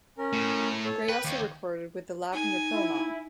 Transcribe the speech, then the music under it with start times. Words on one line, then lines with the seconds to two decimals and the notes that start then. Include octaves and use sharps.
Gray also recorded with the Lavender Pill Mob.
0.18 C#4 A#4
0.34 A2
0.85 A4 C#5
1.09 B4 G5
1.25 D#2
2.33 D#4 G#5
2.72 E4